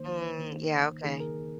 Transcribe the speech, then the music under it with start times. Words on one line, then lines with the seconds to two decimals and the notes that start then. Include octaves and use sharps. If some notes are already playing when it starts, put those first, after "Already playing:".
Mm, yeah, okay.
Already playing: D#3 A#3 D#4 C5
0.38 D#3 A#3 D#4
1.04 D#3 A#3 D#4 G#4
1.20 A#4